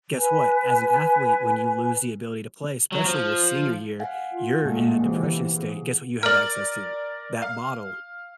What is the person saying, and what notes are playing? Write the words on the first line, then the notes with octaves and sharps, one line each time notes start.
Guess what? As an athlete, when you lose the ability to play, especially your senior year, you're in a depression state. Guess what you have access to? That bottle
B4 G#5
F#3
F3
F5 F#5 G#5
F4
A#2 G#3 A3
C3 E3
G#4
A#4 D5 F6 F#7
F5